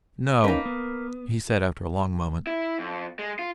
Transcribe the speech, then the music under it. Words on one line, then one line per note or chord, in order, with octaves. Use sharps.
"No," he said after a long moment.
A#3 C#4 D#4 B4
B3
E4
F2
G#3
F4